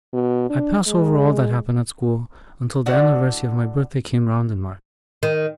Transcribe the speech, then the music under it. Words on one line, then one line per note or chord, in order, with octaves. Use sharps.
I PASS over all that happened at school, until the anniversary of my birthday came round in March.
B2
D4
G#3
A2 D3 F#4 D5 F#5
D#3